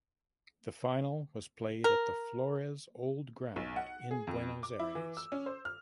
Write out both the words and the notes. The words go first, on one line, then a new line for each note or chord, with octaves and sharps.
The final was played at the Flores Old Ground in Buenos Aires.
A#4
B1
F#5
G#4
F2
D6
E4
E3
E6
C#4
C5
F6